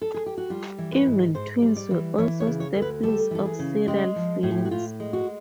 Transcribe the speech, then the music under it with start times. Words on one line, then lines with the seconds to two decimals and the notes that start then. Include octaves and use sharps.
Evil twins were also staples of serial films.
0.02 A4
0.14 G#4
0.26 G4
0.38 F#4
0.50 G3 F4
0.78 E3
0.92 B4
1.06 G#2
1.35 G#2 C5
1.62 G3
1.76 D5
1.91 E3
2.18 E3 C#5
2.40 C#5
2.47 C#3
2.60 C#5
2.75 D2
2.82 B4
3.03 G3 A4
3.31 E3 A4
3.45 G#4
3.59 C#3
3.87 G#3 G4
4.16 F3
4.43 A2
4.51 G#4
4.58 G4
4.65 F#4
4.71 A2 F4
5.00 G#3
5.13 F#4